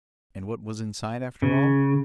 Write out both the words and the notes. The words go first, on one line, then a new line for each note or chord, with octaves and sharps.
And what was inside after all?
C#3